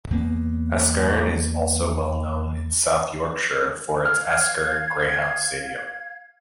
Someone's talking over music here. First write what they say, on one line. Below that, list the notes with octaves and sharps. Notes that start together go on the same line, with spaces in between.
Askern is also well known in South Yorkshire for its Askern Greyhound Stadium.
E2 A#3 B3
F5 F6 G#6